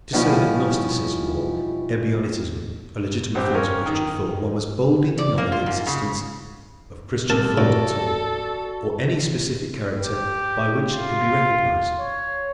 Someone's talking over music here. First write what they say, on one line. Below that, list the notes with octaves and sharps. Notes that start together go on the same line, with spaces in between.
To say that gnosticism or ebionitism are legitimate forms of Christian thought, one must boldly deny the existence of Christian thought at all, or any specific character by which it could be recognized.
B2 F3 G3 C#4 D#4 E4
A#1 C4 G4
C#4 A#4
D#3
D5
A#3
F4
G#2
C#3
G3 C4 A4 A#4 A5
A2 F#4 D5
G4
F4
C#5